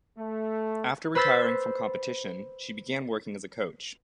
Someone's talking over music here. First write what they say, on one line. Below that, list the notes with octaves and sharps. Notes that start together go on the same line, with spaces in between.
After retiring from competition, she began working as a coach.
A3
B4 C5 B5 E6 A6 B6